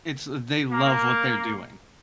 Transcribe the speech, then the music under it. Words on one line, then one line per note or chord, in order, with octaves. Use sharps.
It's they love what they're doing.
A#3